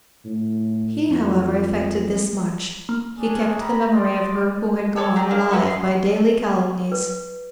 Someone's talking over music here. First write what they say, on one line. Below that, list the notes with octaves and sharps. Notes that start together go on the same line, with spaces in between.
He, however, effected this much: he kept the memory of her who had gone, alive by daily calumnies.
A2
F2
A#3
C#4 D4 G#4
G4 A#5 B5
D5 D#5 C6
A4 C#5 D5
G4 G#4 A#5
A#3 D4
E4 F#4 B4 D#5
C6
B4